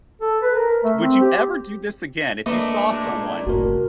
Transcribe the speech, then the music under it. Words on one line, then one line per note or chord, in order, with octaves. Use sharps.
D would you ever do this again? If you saw someone,
A4
B4
A#4
A3
C4
G4
A3 A#3 D4 A#4 B4 D#5 D6
A#2 G#3
F#1 C2 A2 F#4 A#4